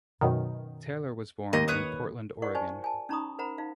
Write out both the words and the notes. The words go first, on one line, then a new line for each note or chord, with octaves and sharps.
Taylor was born in Portland, Oregon.
F#2 B2 D#3
D#2 D#3 A#3 D#5
B4 C#5 D#6
E4 A#4 D5 F#5 C#6
G4 C5 D5 G#5 A5 C#6
G#5 A5
C#4 D#4 A#5 B5 C#6 D#6
A#4 C5 F#5 A#5 B5
D#4 F5